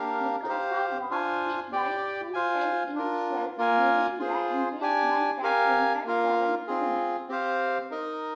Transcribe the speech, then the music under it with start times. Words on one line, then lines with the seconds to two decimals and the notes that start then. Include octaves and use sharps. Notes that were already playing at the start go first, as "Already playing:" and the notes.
"Mikasa" was hit by two ten-inch shells during the engagement that wounded seven crewmen.
Already playing: A#3 D4 G4 A#4 F5
0.48 G4 C5 F5
1.10 D4 F4 C5 F5 G#5
1.72 G4 D5 G5
2.33 F4 C5 F5 G#5
2.95 D4 F4 A#4
3.57 A#3 F4 A#4 F5 G#5
4.19 F4 G#4 C5
4.81 D4 G4 D5 G#5
5.43 G4 A#4 F5 G#5
6.05 A#3 F4 A#4 F5
6.68 C4 F4 G#4
7.29 C4 G4 C5 F5
7.91 D#4 A#4 D#5